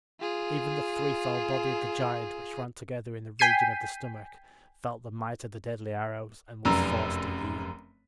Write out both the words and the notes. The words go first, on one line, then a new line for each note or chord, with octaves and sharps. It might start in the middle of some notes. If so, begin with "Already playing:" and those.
Even the threefold body of the giant which ran together in the region of the stomach, felt the might of the deadly arrows and was forced to yield.
F4 G#4
G5 G#5 G6 B6 C7 D#7
F1 F#2 A#5 E6